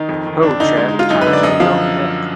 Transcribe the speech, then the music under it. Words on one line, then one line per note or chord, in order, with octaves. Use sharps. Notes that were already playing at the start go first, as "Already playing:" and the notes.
'Ho, Jack, time to be going back.
Already playing: D#3 D#4
F2
D#3
F2 D4
D3 D#4
G#3 D#4
D#4
G#3
F4
F#2 D#4
B4
D3
D5
F#2 D#5
F3 F5